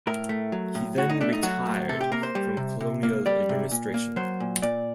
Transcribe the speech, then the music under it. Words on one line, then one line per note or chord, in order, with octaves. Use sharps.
He then retired from colonial administration.
A2 A#4
A3
F#3
A2
A2 F#4
D#4
A3 D4
D#4
F#3 F#4
A2
C3 A4
G4
A#3 A#4
C5
G3
C3
C3
A#3
G3 D5
C3
A#2
A#3
F#3 C5
A#2
A#2 D5